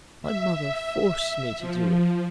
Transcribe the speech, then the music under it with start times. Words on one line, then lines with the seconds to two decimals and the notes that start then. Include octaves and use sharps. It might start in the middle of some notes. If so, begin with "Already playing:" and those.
My mother forced me to do it.
0.23 E5
1.59 F3